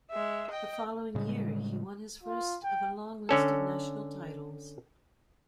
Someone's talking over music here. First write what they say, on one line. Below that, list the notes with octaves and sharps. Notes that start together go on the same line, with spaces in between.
The following year, he won his first of a long list of national titles.
G#3 E5
D#5 G5
A2 C#3 G3 G#3
F4
G5
D3 C#4 A4